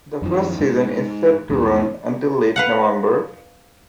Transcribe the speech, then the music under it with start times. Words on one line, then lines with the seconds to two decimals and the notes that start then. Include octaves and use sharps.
The first season is set to run until late November.
0.22 F#2 D#3 F3
0.60 G#2
1.49 B1 E2 G#2
2.56 B4 F5 F#5